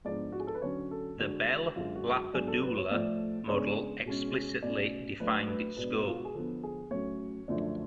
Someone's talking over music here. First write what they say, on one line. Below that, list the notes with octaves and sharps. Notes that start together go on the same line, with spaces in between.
The Bell-LaPadula model explicitly defined its scope.
G#2 F3 B3 D4 D5
F#4
G#4
A4
B4
D3 F#3 C#4 C#5
A4
D3 G#3 D4 F#4
F#2 D3 G#3 F4
F#4
F#4
G#2 F#3 B3 D4 G#4
A4
B4
C#5
A2 F3 A3 D5
C#3 G#3 B3 D4 C#5
B2 G#3 C#4
B2 A3 C#4 D5
A2 F#3 A3 D4 B4
B4
B2 G#3 B3 D4 B4
F4
F#4
G#4
D3 F3 B3 A4
G#4
A2 F#3 C#4 C#5
F#2 D3 F3 A3 D4